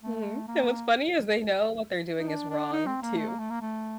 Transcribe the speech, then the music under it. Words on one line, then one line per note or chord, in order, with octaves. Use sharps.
Mhm. And what's funny is they know what they're doing is wrong too.
A3
A#3
D#4
D4
D4
D#4
C4
A#3
A3
A#3
A3
A#3
A3